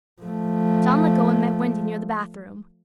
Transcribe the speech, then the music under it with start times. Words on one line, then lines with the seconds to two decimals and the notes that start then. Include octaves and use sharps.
John let go and met Wendy near the bathroom.
0.22 F3 A3